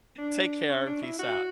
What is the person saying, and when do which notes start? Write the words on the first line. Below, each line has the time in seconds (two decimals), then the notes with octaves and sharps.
Take care and peace out.
0.18 D4
0.69 C#4
0.86 D4
1.02 E4
1.19 F#4